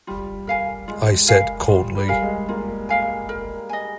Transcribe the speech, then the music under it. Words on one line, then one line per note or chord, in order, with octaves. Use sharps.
I said coldly.
G3 F4
A#4 F5 G#5
G#3 F4
A#4 F5 G#5
G3 F4
G3
A#4 F5 G#5
G#3
A#3 F4
A#4 F5 G#5
A#4
D#5 G#5